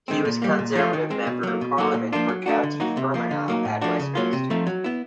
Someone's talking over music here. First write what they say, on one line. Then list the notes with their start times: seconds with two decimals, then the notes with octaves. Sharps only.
He was Conservative Member of Parliament for County Fermanagh at Westminster.
0.08 D#3 G#3 C4
0.25 A#2
0.42 G3 A#3
0.59 A#2
0.75 F3 A3 C#4 F4
0.93 D#3
1.10 G#3 C4
1.27 B2
1.43 F#3 A#3
1.61 B2
1.78 F#3 A#3 D#4 F#4
1.94 A#2
2.12 F3 A#3 D4 F4
2.28 F#3
2.46 A3 D4 F#4
2.63 D3
2.80 F#3 A#3 D#4 F#4
2.97 C3
3.14 F3 A#3
3.31 D3
3.48 F#3 A#3 D#4
3.65 A2
3.81 F3 A3 D4 F#4
3.99 C#3
4.15 F#3 A#3 C#4 F4
4.33 C3
4.50 F3 A3 C4 D#4
4.67 F#3
4.84 B3 E4